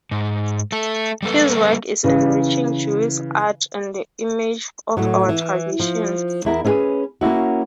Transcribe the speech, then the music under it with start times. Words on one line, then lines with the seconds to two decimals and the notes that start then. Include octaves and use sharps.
His work is enriching Jewish art and the image of our tradition.
0.11 G#2
0.72 A3 A4
1.23 G3 A3 A#3 A4 B4
2.04 C#3 E3 B4
4.97 A2 F#3
5.29 E3
5.80 F3
6.45 E2 E4 A#4
6.65 C#4 E4 G#4 B4 G#5
7.21 A#3 C#4 E4 F#4